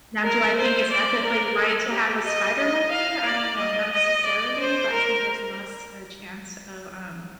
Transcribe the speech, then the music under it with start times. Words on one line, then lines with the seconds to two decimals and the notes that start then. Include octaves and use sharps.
Now do I think it's ethically right to have a spider monkey? I don't know. Not necessarily, but I think there's less a chance of, um,
0.24 A#4
0.58 C5
0.92 D5
1.24 A#4
1.57 A4
1.92 G4
2.25 D#5
2.58 D#5
2.91 F5
3.25 D5
3.58 D#5
3.93 D#5
4.25 D5
4.60 C5
4.92 A#4